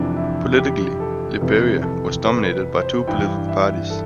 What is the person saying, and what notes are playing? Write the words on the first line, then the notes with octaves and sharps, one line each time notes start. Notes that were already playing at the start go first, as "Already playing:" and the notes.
Politically, Liberia was dominated by two political parties.
Already playing: F2 C3 E3 D4
E4
G4
A4
F2 C3 E3 B4
A4
B4
B4
C5
G2 E3 G5
E5
A4